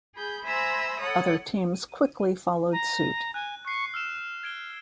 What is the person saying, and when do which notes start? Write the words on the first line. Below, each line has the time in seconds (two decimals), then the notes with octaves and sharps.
Other teams quickly followed suit.
0.14 G#4 B5 G6
0.44 C5 E5 G#5 A#5 B5 E6
0.99 A4 C#5 F#5 D#6
2.72 A#5
3.34 G#5 F#6
3.65 C#6 F#6 C7
3.94 E6 F6 E7
4.43 G#6 D7 G7